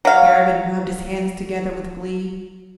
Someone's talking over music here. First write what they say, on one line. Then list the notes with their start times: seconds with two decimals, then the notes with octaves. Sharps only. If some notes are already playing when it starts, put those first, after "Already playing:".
Garabin rubbed his hands together with glee.
0.05 F#3 F5